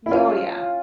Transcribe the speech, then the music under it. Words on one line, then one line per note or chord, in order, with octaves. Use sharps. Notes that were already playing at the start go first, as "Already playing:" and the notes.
Y oh, yeah.
E4
C#4 F4